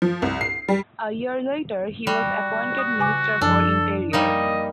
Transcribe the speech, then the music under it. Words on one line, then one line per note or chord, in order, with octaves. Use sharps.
A year later he was appointed Minister for Interior.
F3
C2
C7
G3
G3 F#4
D#6
C#3 G#5 D6
F#2 F3 D4 A4
G3 A#3 D#4 D#5